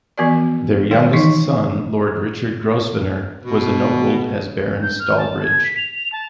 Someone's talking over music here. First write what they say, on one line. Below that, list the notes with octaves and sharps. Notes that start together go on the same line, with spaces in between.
Their youngest son Lord Richard Grosvenor was ennobled as Baron Stalbridge.
E3 F3 B3 F#4 A#4 D5
D#3 G3 C5 G5
D#3 E3 D#4 D#5 C#6
B2
G6
F6
A5
G#6
B6
F7
F7
A5